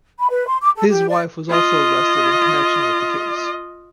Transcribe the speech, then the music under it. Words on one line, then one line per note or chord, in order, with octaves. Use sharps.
His wife was also arrested in connection with the case.
B5
B4
C6
D6
A4
G4
D5
F4 D#5